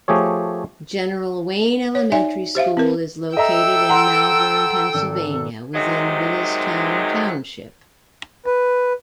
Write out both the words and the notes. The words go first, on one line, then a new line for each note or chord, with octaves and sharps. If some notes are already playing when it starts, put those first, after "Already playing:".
General Wayne Elementary School is located in Malvern, Pennsylvania, within Willistown Township.
F3 A3 G4 G#4 C#5
C#5
D#4 D5 E5 G#5
G4 C5 E5 F5
C4 A#4
A4 D#5 E5 G5 A#5 E6
F#5 A#5 C6
G#1
G#2 C3 D#3 F#3 G#3
B4